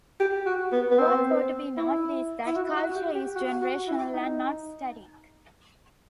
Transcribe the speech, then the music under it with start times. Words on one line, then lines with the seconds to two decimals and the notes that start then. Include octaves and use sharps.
What ought to be noted is that culture is generational and not static.
0.20 G4
0.46 F#4
0.72 B3
0.91 B3
0.99 C4
1.77 E4
2.46 E4
2.56 F#4
2.76 F#4
2.95 G4
3.15 G4
3.35 F#4
3.62 F#4
3.88 E4
4.14 D#4